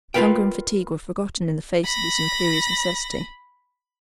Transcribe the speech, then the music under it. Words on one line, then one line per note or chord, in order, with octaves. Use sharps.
Hunger and fatigue were forgotten in the face of this imperious necessity.
F4 A#4 B4 F5 G5
B5 A#6